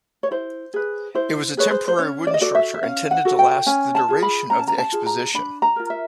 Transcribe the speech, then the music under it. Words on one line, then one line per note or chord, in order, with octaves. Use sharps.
It was a temporary wooden structure intended to last the duration of the Exposition.
C#5
E4 C5
G#4 B4
E4 C5
G#4 B4 C#5
C5
C5
C#4 C#5
D5
D#5
F#4 A4 D5
E5
E5
C#4 F5
F#5
F#4 A4
G5
C#4 G#5
A5
F4 G#4
B5
C#4 A#5
A5
A#5
A5
F4 G#4
A#5
D4 B5
A#5
F4 A#4
E5